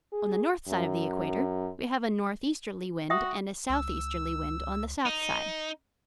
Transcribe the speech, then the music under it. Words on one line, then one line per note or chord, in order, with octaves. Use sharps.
On the north side of the equator we have a northeasterly wind, and a southeasterly wind on the south side.
G#4
F#2
F#4 E5 G5 D#6
C#2 E6
D#4